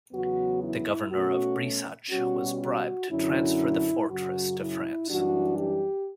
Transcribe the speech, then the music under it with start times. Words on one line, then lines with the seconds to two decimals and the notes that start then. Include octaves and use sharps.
The governor of Breisach was bribed to transfer the fortress to France.
0.12 E2 C#3 F#3 B3 F#4
0.61 E4
1.11 B2 A3 C#4 F#4
2.10 B2 G3 C#4 F#4
2.61 F#4
3.10 F#2 D3 F#3 C#4 E4
4.09 F#2 C#3 F#3 F#4
4.59 E4
5.08 F#2 E3 G3 D4 F#4
5.58 G4